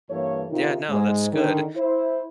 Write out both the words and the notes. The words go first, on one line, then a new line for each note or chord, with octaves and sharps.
Yeah, no, that's good.
G2 E3 A3 A#3 C#5
C3 D#3 D#4 F4
G#2 G#3
D3 D#3
E4 C5